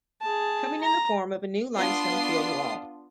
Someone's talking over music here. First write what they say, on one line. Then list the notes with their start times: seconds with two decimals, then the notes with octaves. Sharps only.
Coming in the form of a new limestone field wall.
0.21 G#4 A5
0.81 A#5
1.75 B3 D4 F4 C6 D#6 C7